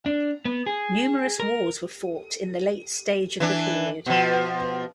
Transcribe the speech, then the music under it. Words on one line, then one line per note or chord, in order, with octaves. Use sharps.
Numerous wars were fought in the late stage of the period.
D4
B3
G#4
A#4
E3 D4
B2 F3